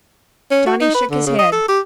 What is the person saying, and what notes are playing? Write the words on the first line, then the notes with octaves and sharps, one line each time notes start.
Johnny shook his head.
C#4
F#4
D#4
B4
D3
C#3
D#5
A4
G4